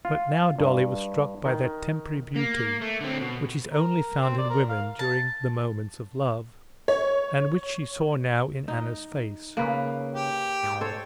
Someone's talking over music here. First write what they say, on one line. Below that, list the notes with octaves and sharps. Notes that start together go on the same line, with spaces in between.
But now Dolly was struck by that temporary beauty, which is only found in women during the moments of love, and which she saw now in Anna's face.
F4
G2
D#3
A#3
A3
D3 C4
B2
A#4
C4
D5
A#4
F5
A5
C#5
D#4
C#3 A#3 B4
G4
G#2
A4 C5 C#5